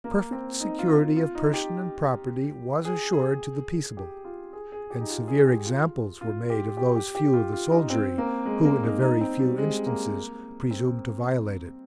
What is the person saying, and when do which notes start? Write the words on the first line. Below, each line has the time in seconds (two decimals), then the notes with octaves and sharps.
Perfect security of person and property was assured to the peaceable, and severe examples were made of those few of the soldiery, who, in a very few instances, presumed to violate it.
0.04 A#3
0.32 C4
0.60 D#4
0.79 F4
0.98 F4
1.17 F4
1.35 D#4
1.53 G4
2.85 G#4
3.13 G#4
3.97 G4
4.25 F4
4.53 G#4
4.72 G#4
4.90 G4
5.01 D#4
5.09 F4
5.28 G#4
5.46 G4
5.65 F4
6.21 F4
6.50 G4
6.77 G4
6.96 G4
7.15 G4
7.34 F4
7.53 F4
7.71 D#4
7.90 C4
8.18 A#3
8.46 G#3
8.65 A#3
8.83 D#4
9.02 D#4
9.21 C4
9.40 G3
9.58 G#3
9.86 A#3
10.71 C4